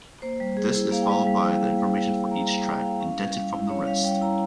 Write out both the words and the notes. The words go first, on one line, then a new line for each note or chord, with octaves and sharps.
This is followed by the information for each track, indented from the rest.
A#3 C5
G3
G3 G#4
E4
A#3 F5
G5
G3 F5
G3
E4
A#3
G3
G3
E4
A#3 A#5
G3 G5
G3 G5
E4 F5
C#4 F5
G3
G3 F5
E4
C#4 C#5
G3 F5
G3 G5
E4 A#5